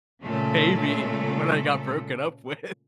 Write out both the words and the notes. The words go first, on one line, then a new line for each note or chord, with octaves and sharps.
pay me when I got broken up with.
A#2 C#3 G#3 A3 A4